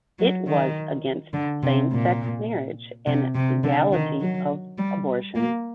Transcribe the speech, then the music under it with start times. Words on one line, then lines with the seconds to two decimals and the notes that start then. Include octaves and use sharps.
It was against same-sex marriage and legality of abortion.
0.19 F#3
0.47 D#3
1.33 D3
1.62 C3
1.91 A#2
3.06 C3
3.35 C3
3.63 D3
3.92 D#3
4.20 F#3
4.78 G3
5.35 A#3